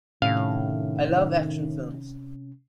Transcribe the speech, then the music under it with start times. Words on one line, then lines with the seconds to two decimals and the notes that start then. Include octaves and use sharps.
I love action films.
0.22 A2 C3 D#3 C#4 F5